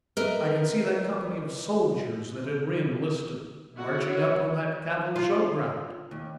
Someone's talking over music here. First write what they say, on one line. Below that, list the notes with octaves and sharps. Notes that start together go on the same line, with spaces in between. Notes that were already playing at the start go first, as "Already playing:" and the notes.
I can see that company of soldiers that had re-enlisted marching up on that cattle-show ground.
A#4 B4 D#5 E5
E4 F#4
C#5
F4
D#2